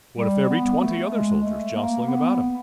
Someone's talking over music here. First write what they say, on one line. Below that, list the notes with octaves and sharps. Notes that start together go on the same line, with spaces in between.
What if there be twenty other soldiers jostling about him?
G3
B3
A3
G#3
A3
A#3
B3